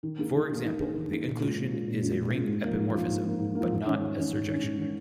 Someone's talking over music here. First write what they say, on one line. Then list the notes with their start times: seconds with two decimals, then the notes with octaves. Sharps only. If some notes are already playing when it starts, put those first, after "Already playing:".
For example, the inclusion is a ring epimorphism, but not a surjection.
0.03 D#3
0.18 A#3 D#4 G#4
0.34 D#3
0.50 A#3 D#4 G#4
0.65 D#3
0.79 A#3 D#4 G#4
0.95 D#3
1.10 A#3 D#4 G#4
1.26 A#2
1.41 G#3 C#4 F4
1.56 A#2
1.72 G#3 C#4 F4
1.87 A#2
2.02 G#3 C#4 F4
2.18 A#2
2.33 G#3 C#4 F4
2.48 G#2
2.64 F3 A#3
2.79 G#2
2.94 F3 A#3
3.09 G#2
3.24 F3 A#3
3.40 G#2
3.55 F3 A#3
3.71 G#2
3.86 D#3 C#4
4.01 G#2
4.16 D#3 C#4
4.32 G#2
4.47 D#3 C#4
4.63 G#2
4.78 D#3 C#4